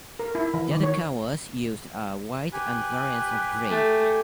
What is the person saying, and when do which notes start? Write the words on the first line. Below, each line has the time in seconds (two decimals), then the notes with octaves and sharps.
The other colours used are white and variants of grey.
0.19 A#4
0.35 E4
0.54 E3
0.71 D#3
0.83 C#5
2.53 G4 B4 G#5
3.70 A3